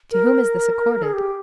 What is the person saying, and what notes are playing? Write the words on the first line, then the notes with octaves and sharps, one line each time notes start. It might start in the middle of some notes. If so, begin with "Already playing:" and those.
To whom is this accorded?
A#4
G#4
G4